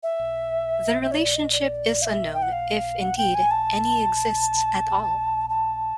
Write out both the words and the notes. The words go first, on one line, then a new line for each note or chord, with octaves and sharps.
The relationship is unknown, if indeed any exists at all.
E5
E5
C#5
D5
D#5
D5
F5
E5
G5
F#5
F5
F#5
G5
G#5
A5
A5